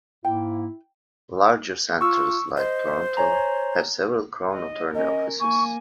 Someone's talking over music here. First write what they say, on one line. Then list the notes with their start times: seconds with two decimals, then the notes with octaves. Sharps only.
Larger centres like Toronto have several Crown Attorney Offices.
0.25 G#2 A#3 E4 G5
2.01 F4 C#6 E6
2.57 C5 D#5
3.17 C#5 G#5 A#5
4.53 D#5
4.95 C#4 A#4 D#5
5.40 A#3 G#5 C#6